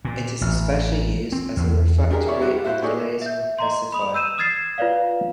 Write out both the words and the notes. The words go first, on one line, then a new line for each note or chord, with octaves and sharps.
It is especially used as a refractory and glaze opacifier.
A#2
A1
C4
E2
G#3 D4 G4 G#4 A#4
E4 G4 C#5 D5
G3 G#3 D4 E4 F#4 G4
G3 F4
E4 F#4 C5 F#5
A2 A3 D#4 G#4 C#5 D5
E5 G6
D#5 A#5 C6
B5 D#6 F7
E6 G6 D#7 E7
D#6 F6 G#6 A6 C7 E7
F4 B4 C#5 D5 F5